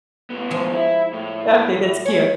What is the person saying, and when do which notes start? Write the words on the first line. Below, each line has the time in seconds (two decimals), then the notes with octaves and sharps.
Okay. That's cute.
0.30 A2 B3
0.51 F3 G#3
0.73 E4
1.13 A2
2.05 C#5 G#5